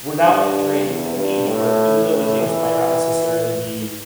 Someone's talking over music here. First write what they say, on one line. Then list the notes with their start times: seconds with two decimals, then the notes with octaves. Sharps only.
we're now entering an age where even though the things might not necessarily be,
0.25 G2
0.86 E2
1.17 G2
1.48 A2
2.09 A2
2.40 E3